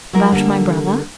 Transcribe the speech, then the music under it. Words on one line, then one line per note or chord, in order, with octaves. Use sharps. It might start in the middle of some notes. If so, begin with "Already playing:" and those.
"About my brother?"
F#3 E4 G#4 A#4
D3 G3 A#3 A4